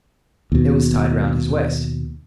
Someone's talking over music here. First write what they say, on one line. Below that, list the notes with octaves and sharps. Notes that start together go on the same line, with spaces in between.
It was tied round his waist.
D#2 B2